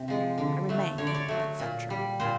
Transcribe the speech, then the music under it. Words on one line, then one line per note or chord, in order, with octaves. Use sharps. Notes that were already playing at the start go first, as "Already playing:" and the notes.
I remain, etc.
Already playing: C3
F3 G#3
D3
F#3 A3
D3 C#5
D5
C#5
F#3 A3
A#2
G3
A#2 C5